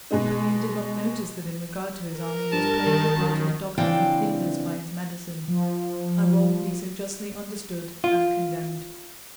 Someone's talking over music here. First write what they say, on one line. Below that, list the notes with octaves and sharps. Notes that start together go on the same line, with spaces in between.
Napoleon did not notice that in regard to his army he was playing the part of a doctor who hinders by his medicines--a role he so justly understood and condemned.
B2 G#3 D#4
A#4
G2 A5
D#3
F#2
C#3 E3 C4 D4 F5 G5
F3
F4